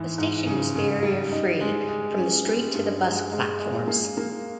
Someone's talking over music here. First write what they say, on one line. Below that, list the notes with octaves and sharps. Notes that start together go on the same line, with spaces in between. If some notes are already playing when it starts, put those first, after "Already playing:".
The station is barrier free from the street to the bus platforms.
Already playing: G#2 E3
G#2
C#3
C#3
G3
D#4
G#3
G#3
C#4
G3
G2
G#3
G#3
G#3
A#3
A#3